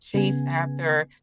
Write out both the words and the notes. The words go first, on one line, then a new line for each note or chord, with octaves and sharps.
chased after,
C#3 B3 G#5